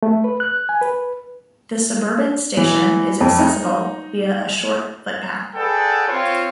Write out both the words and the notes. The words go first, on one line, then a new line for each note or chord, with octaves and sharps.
The suburban station is accessible via a short footpath.
A3
B4
F#6
G#5
B4
E3
F2
D#4
G#4 A4 B4 D5 F#5 G5
C4 F4 C#5